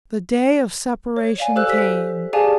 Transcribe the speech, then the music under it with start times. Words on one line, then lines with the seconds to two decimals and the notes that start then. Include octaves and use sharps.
The day of separation came.
1.16 C#5
1.38 D5 F5 G#5
1.56 G4 A4 C5 F5 E6 F#6
1.70 B6
2.33 G4 G#4 D5 F5 G#5 A5